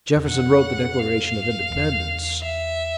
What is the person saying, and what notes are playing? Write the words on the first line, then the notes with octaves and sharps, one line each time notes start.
Jefferson wrote the Declaration of Independence.
E2
F2 F#5
F5
E2
E5